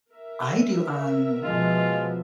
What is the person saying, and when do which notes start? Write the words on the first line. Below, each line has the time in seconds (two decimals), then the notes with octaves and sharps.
I do, um
0.11 A#4 E5
1.44 B2 F3 G#3 F4